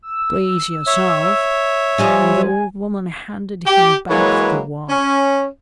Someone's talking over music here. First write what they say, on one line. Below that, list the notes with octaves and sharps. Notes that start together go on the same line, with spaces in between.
"Please yourself"--and the old woman handed him back the watch.
E6
C#5 E5
F3 G3 D#4 G#5
G4
E3 F#3 G#3 A#3 B4 C#5
C#4